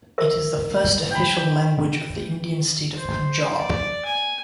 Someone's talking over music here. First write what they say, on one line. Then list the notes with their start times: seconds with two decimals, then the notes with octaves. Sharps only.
It is the first official language of the Indian State of Punjab.
0.18 A#4 E5
1.11 G5 B5
2.96 C5
3.58 D5
4.05 G#5